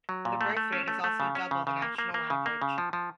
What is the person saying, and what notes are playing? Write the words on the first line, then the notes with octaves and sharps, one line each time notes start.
The birth rate is also double the national average.
F#3
A#2
A3
A3
C#4
A3
A3
C#3
C#4
C#3
C#3
A#3
A#3
A#3
C#3
A#3
C#3
F3
F3